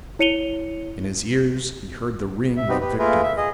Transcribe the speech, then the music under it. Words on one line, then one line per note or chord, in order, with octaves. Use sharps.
In his ears, he heard the ring of victory.
E4 C#5 C#7 D#7 F7 G7
E5
C4 D#4 F#4 G4 B4
G4 B4
A3 A#3 F4 G#4 A#4 B4
E5
G#4 D#5